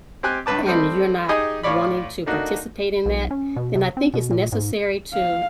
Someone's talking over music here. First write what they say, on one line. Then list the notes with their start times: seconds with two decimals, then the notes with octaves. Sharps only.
and you're not wanting to participate in that, then I think it's necessary to,
0.23 C4 G4 G#5 F#6
0.46 C#2 G2 B4 A5 D6
0.67 G3 A3 C4 D#5 B5
1.29 D#4 G4 G#4 D#5 G#5
1.63 A2 F4 C#5 D5 B5
2.26 A3 A#3 D4 D#4 F#4
3.06 B1
3.31 C#4
3.56 B2
3.75 C3
3.97 C4
4.14 B2
4.31 A#2
4.52 G#2
5.14 F5